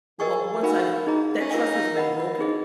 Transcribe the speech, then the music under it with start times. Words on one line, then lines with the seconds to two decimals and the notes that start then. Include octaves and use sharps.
well, once I've that trust has been broken,
0.19 G#4 A#4 D#5 G#5 C#6
0.63 D#4 F#4 A#4 F5 G#5 B5
1.07 D#4 G#4 D#5 A#5
1.40 C#4
1.51 D#4 F4 A#4 F5 G#5
1.95 A#4 D#5 F#5 B5
2.39 D#4 G#4 D#5